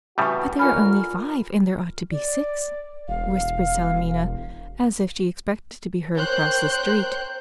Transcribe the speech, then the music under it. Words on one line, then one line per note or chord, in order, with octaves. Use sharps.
"But there are only five, and there ought to be six," whispered Salemina, as if she expected to be heard across the street.
A2 C#3 E3 G3 F#4 G#5 C#6
A1 D3 F4 A#4 G#5 B5 F6
D5
E1 F5
A#4 C5 C#5 G5 F#6 G6